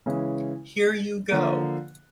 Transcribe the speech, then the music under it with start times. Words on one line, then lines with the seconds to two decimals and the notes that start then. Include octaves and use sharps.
Here you go.
0.06 C#3 E3 G#3 C#4 E4
1.31 D3 F3 A#3